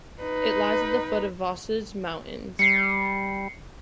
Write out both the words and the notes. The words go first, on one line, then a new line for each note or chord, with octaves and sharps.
It lies at the foot of the Vosges Mountains.
D#4 B4
G3 C7 C#7